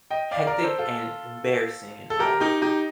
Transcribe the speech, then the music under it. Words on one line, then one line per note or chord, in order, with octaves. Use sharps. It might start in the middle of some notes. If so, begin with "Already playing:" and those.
hectic and embarrassing in a way.
D#5 G5
D5 F5
A#4 D5
A4 C5
F4 A4
A4
G4 A#4
D#4 G4
D#4 G4